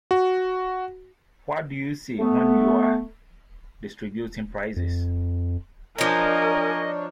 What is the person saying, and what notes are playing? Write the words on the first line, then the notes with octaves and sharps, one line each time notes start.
What do you say when you're distributing prizes?
F#4
A3 B3
F2
F3 D4 D#4 A#4 C#5 D#5 G#5